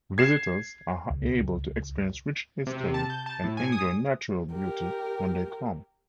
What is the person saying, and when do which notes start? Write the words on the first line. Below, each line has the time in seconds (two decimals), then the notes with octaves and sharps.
Visitors are able to experience rich history and enjoy natural beauty when they come.
0.18 G#6 C7 E7
1.10 C#2
2.67 C3
2.80 C3
2.94 A5
3.10 G6
3.26 A5
3.44 A2
3.57 G#5
3.72 D#6
4.53 G4 A#4